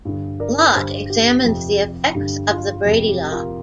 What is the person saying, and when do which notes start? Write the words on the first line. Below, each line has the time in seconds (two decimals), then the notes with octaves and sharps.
Lott examines the effects of the Brady law.
0.05 G2 D3
0.40 A#4 D5
0.75 G2 D3 G4 C5
1.10 G4
1.45 F2 C3
2.15 G2 D3 G4
2.50 F4
2.85 F2 C3 G4
3.08 G4
3.31 F4 A#4